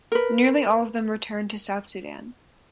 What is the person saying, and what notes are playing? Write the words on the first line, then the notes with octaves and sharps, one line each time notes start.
Nearly all of them returned to South Sudan.
A#4 B4